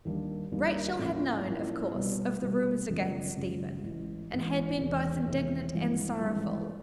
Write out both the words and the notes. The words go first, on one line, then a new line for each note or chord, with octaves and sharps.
Rachel had known, of course, of the rumors against Stephen, and had been both indignant and sorrowful.
D#2 D#3 G3 A#3 D4
D#2 D#3 G3 A#3 D4
A2 F3 A#3 C#4 E4
A2 F3 A#3 C#4 E4
C2 B2 G3 B3
C2 B2 G3 B3
G#1 F#2 C#3 F3
G#1 F#2 C#3 F3
A1 G#2 E3
A1 G#2 E3
E1 E2 C3 D#3
E1 E2 C3 D#3
G#1 G2 E3 G#3 C4
G#1 G2 E3 G#3 C4